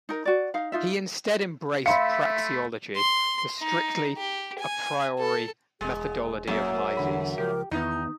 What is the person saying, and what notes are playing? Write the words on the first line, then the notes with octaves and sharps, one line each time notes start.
He instead embraced praxeology, the strictly "a priori" methodology of Mises.
D#4 A#4
F#4 D5
D#4 F5
D#4 F4 E5
A3 E5 F5 B5 C6 C#7
C6
D#4
G4
G#5
A4
E1 G#3 G#4
F#2 A#3 E5
E2 D3 F#5 B5
C#2 F3 G4 A#4
E2 D#3 B3 D#4 E4